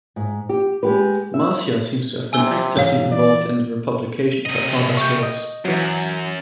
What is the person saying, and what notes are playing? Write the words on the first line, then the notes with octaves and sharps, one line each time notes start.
Marcia seems to have been actively involved in the re-publication of her father's works.
G#2
G4
G#3 G4 B4
E5
C3 G#5 E6 G7
G#2 E3 C#5 F5
E3 D5
C3 D#5
C#6 G6
D#5
F#2 E3 F#3